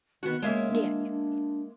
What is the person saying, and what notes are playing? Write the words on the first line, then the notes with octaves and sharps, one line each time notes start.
Yeah. Yeah. Yeah.
D#3 B3 F#4
C#3 G#3 A#3 E5
D4
D4